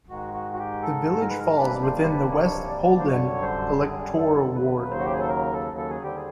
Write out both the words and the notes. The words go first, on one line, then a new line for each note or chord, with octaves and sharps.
The village falls within the 'West Polden' electoral ward.
G#2 D#3 G#3 F#4
F#4
F#4
G4
A4
A#4
B4
A#4
C3 E3 G3 A#3 D4 B4
C5
C5
B4
C#5
D5
C5
F#2 D3 G3 C#5
C5
G#4
A4
D#2 C#3 F#3 B4
C5
F#4
G4
G#4
A4
A#4
A4
A4
G#4
D#2 D3 G3 C4 G4
G#4